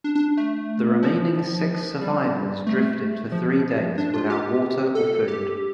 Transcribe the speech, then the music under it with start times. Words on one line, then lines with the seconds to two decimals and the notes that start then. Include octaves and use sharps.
The remaining six survivors drifted for three days without water or food.
0.04 D4
0.15 D4
0.37 A3
1.03 F3
2.01 G3
2.67 A3
3.32 F3
3.98 D4
4.14 F4
4.30 G4
4.95 A4
5.28 G4